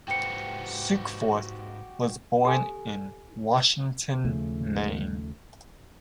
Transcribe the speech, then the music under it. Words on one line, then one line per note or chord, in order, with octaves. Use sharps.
Sukeforth was born in Washington, Maine.
G#2 F#4 G4 B4 C5 G5 C#7
G4 A4 G#5
D#2 C#3 F3 A3